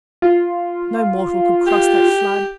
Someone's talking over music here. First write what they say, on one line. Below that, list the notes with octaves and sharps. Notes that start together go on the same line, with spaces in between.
'No mortal could cross that flood.
F4
G4